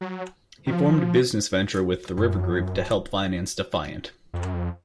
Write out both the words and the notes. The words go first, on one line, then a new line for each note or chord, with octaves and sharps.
He formed a business venture with The River Group to help finance Defiant.
F#3
D#3
F3
F#2
F2
F#2
F2